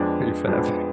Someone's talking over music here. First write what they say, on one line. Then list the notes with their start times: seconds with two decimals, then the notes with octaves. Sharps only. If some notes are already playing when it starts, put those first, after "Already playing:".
Pretty fast.
Already playing: F2 F3 G#3 B3 D4
0.47 F2 F3 G#3 B3 D4